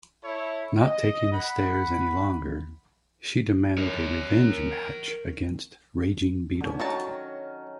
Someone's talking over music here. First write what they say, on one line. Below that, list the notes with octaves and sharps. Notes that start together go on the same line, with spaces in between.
Not taking the stares any longer, she demanded a "revenge match" against Raging Beetle.
E4 A4 C#5
D#5
F#5 B5
A#4 C#5
D3 C#4
D#3 F#3 F#4 A5